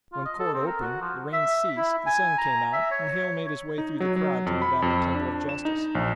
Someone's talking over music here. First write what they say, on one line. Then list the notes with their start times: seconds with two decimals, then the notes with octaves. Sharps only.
When court opened, the rain ceased, the sun came out and Hale made his way through the crowd to the battered temple of justice.
0.13 F4
0.25 D#5
0.39 A4
0.54 C4
0.67 A#4
0.81 F#4
1.01 F3
1.33 E5
1.77 E4
2.06 G#5
2.38 A#5
2.73 E5
2.91 C#5
3.78 D#4
4.00 F#3
4.16 F#3
4.46 F2
4.62 B5
4.82 F2
5.15 D4
5.49 E7
5.65 D#4
5.95 A#1